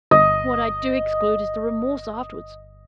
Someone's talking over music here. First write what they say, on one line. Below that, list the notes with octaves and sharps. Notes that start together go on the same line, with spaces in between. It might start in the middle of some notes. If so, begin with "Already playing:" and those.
What I do exclude is the remorse afterwards.
G1 D#5